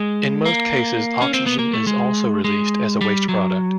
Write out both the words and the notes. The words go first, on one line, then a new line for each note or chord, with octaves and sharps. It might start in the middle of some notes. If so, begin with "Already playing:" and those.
In most cases, oxygen is also released as a waste product.
Already playing: G#3
A#3
C#4
C4
B3
A#3
A3
G#3
G#3
G3
F#3